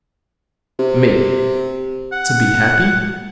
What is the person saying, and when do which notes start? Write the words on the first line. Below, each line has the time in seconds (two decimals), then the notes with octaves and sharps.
ME: To be happy?
0.79 C3
2.12 F#5